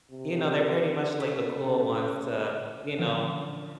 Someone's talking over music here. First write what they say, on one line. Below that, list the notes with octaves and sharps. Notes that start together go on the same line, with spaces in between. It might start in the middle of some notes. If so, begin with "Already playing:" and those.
you know, they're pretty much, like, the cool ones to, you know,
C3
C#3 A3 A4
D3 F3 C#4